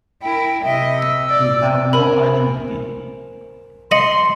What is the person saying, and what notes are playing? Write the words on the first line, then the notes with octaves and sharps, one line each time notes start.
You have no identity.
E4 A#4 G5
C3 D#5 E5
E6
D5
A#4 C5 G#5 B5
D#5 C6 A#6 C#7 F#7